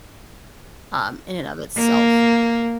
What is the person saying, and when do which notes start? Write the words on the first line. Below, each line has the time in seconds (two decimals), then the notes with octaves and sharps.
um, in and of itself.
1.78 A#3